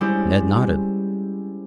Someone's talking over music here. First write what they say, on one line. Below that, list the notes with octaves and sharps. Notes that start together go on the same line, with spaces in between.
Ned nodded.
G3 G#3 C4 C#4 E4 G4